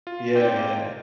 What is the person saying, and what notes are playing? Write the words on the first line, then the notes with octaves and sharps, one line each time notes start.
Yeah, yeah.
F4
C4 D#4 G4